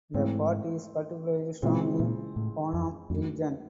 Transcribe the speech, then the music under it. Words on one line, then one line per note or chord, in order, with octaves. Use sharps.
The party is particularly strong in Honam region.
G#2 E3 A3 C4
A#2 C#3 E3 G#3 C4 F4
A#2
A2
F2
F2 F#3 A3 D4 F#4